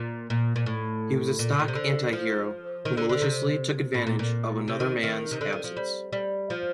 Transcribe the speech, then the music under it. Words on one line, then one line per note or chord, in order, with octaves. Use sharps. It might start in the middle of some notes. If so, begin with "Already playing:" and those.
He was a stock anti-hero who maliciously took advantage of another man's absence.
Already playing: A#2
A#2
A#2
A2
A#2
D3
A#2
C3
D3
F3
D#3
D3
D3
C3
A2
A#2
A#2
C3
D#3
D#3
C3
D3
D#3
F3
G3
G3
F3